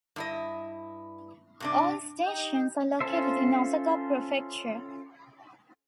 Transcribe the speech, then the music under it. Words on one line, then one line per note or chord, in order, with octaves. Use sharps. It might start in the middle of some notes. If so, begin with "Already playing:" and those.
All stations are located in Osaka Prefecture.
G2 E4 D#5
G2 C3 D4
D#4 G4 G6
C#4 F4 A4 C5 E5